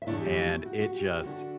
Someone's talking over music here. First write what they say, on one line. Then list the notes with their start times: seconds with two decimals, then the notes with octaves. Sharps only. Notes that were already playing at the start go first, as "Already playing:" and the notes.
and it just
0.02 E5
0.07 E2 B2 A3 D4 E4 D5
0.21 G4
0.66 F#4
0.80 F#4
0.94 G4
1.09 G4
1.23 D3 A3 D4 F#4